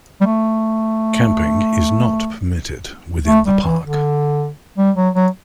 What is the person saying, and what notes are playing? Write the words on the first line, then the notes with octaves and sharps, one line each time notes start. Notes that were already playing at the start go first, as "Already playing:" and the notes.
Camping is not permitted within the park.
G3
A3
A3
G3
E3
D3
G3
F#3
F#3